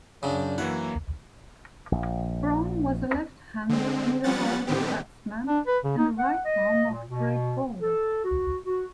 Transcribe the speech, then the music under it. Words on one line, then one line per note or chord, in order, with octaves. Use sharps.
Brown was a left-handed middle order batsman and a right-arm off-break bowler.
F#2 C#3 F#3 D4
E3 F#3 A#3 E4 F#5
A#1
D3 G#3 C4
F3 G3 B3 C#4 F#5 A6
A2 D3 D#3 B3 C4 G4
D4
B4
C#3
D#4
F#5
D#5
A#2
B2
A4
F#4
F#4